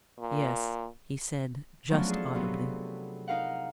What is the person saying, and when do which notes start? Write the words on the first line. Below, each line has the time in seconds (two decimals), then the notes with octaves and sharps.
"Yes," he said, just audibly.
0.19 A#2
1.90 F3 F#3 A3 B3 C#4 D4
2.09 G#4 A4
2.35 C3 F#3 B3
3.28 D#4 A#4 F5 F#5